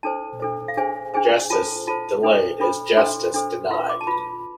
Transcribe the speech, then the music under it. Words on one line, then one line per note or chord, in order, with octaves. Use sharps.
Justice delayed is justice denied.
D4 A4 C5 A5
D4 A4 C5
F5
D4 G#4 C5 G#5
D4 G#4 C5 G#5
F4 A4 C5 A5
F4 A4 C5 A5
D4 A4 C5
D4 A4 C5 B5
D4 A4 C5 C6
D4 A4 C5
F4 B4 C6
D6
A5
F4 B4 B5